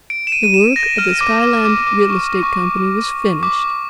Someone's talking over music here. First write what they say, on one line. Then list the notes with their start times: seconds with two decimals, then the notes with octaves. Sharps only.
The work of the Skyland Real Estate Company was finished.
0.10 D7
0.27 E7
0.32 D#7
0.43 D#7
0.54 E7
0.76 A#6
0.98 F6
1.21 D6
1.43 D6
1.65 D6
1.87 D6
2.10 C#6
2.43 C#6
3.43 D6